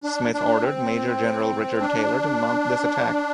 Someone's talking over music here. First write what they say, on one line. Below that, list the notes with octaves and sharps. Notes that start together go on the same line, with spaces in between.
Smith ordered Major General Richard Taylor to mount this attack.
D4
D4
C4
D4